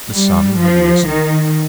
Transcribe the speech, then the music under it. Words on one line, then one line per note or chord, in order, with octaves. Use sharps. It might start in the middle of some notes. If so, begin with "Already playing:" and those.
The sun had risen.
G3
F3
D#3